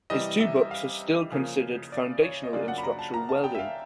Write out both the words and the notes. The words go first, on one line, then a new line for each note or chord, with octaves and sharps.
His two books are still considered foundational in structural welding.
C3 E3 G3 D#5
E5
F5
C#3 F3 A#3
D5
C#5
D#5
C#3 F#3 A#3 D4 F4 D5
F#5
B5
A#5
A5
A#5
A5
G5
E5
F5